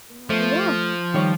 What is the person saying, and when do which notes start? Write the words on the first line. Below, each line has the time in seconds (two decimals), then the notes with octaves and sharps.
Uh, yeah.
0.30 F3 A3
1.14 D#3 G3 C#5